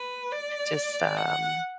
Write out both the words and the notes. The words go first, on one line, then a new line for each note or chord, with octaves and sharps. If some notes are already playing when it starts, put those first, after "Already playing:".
just, um,
Already playing: B4
D5
F#5